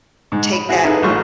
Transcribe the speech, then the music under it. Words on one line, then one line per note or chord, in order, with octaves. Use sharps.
take that
G#2
B5
E4 F#4 G#4 F#5
D#4 E4 G#4 A4 B4
A1 F#3 A3 F4 C#6